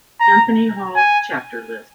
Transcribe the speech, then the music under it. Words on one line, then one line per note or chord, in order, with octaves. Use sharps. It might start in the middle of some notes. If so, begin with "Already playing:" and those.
Anthony Hall chapter list.
A#5
G#5